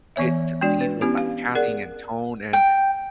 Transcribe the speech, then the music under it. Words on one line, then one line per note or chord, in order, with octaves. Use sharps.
it succeed was, like, casting, and tone, and
E3 B3 C#5 E5
G#3 D4 F#4 D5
B4
B3 C#4 E4 G4
F5
G#4 A#4 D5 F#5
G5